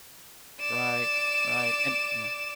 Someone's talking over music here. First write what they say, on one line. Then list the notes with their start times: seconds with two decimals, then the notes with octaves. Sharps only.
Right, right, and Yeah.
0.60 D5 E7